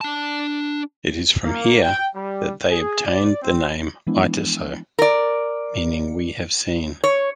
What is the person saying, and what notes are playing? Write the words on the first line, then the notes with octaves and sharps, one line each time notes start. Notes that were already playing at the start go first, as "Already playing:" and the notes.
It is from here that they obtained the name Iteso, meaning we have seen.
D4 A5
A#3
G5
G3
G#4
D5
C4
E3 F3 G#3 B3 D4 E4
A#4 D5
C#5